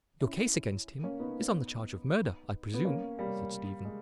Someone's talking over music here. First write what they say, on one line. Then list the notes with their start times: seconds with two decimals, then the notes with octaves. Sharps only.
"Your case against him is on the charge of murder, I presume?" said Stephen.
0.20 C#4 E4
1.03 A#3 C#4
1.19 B3 D#4
2.74 B3
2.85 A#3 C#4
3.19 G3 A#3
3.85 G#3